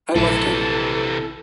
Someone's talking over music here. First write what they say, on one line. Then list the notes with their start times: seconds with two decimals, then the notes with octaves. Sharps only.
I loved him.
0.16 A#1 C3 E3 F#3 A3 E4 A4